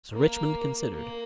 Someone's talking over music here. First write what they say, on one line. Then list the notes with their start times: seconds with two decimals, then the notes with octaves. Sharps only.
Sir Richmond considered.
0.13 A#3
0.92 A#3